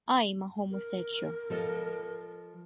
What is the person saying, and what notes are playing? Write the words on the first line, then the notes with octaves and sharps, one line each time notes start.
I'm a homosexual.
A#4
F3 A4 D#5